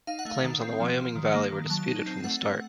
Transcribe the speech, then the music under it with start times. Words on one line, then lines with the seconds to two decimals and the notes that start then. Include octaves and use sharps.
Claims on the Wyoming Valley were disputed from the start.
0.07 D#4 F5
0.19 F#5
0.25 A3 F5
0.44 D#3
0.62 C4
0.80 F3
0.98 F3
1.16 D#3
1.34 A#3
1.52 D#3
1.70 F#3 A5
1.88 D#4
2.06 C4
2.24 A3 F#5
2.42 A3